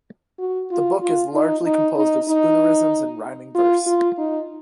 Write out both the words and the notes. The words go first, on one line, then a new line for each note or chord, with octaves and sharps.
The book is largely composed of spoonerisms in rhyming verse.
F#4
F4
F4
D#4
D#4
D#4
D#4
F4
F4
D#4